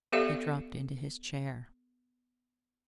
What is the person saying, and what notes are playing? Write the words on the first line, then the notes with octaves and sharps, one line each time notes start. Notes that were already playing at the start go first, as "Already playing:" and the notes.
He dropped into his chair.
B3 G4 A4 D5 E5 F5